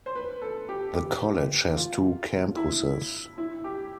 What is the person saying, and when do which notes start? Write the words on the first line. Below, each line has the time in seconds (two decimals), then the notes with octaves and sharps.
The college has two campuses.
0.06 C5
0.15 B4
0.41 A4
0.69 G4
0.95 G4
1.77 F4
2.57 E4
3.38 E4
3.64 G4